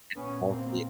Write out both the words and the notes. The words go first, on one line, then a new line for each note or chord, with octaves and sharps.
It's healthy,
A#2 B3 C#4
A#3 C4